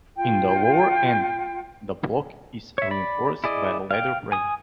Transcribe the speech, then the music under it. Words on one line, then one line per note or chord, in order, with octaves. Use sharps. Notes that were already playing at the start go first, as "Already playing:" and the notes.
In the lower-end, the block is reinforced by a ladder frame.
F4 G5
C#5 E5
D5 B5
E4 G#4 D5 D#5
F5 G5
G#5 D#6